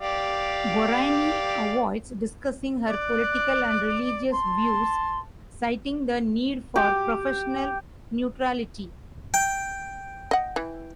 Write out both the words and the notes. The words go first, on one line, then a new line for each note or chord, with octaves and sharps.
Gorani avoids discussing her political and religious views, citing the need for professional neutrality.
G4 D5 F5
D5 F#6
A5 C6
G4
G5
D#5 F#5
E3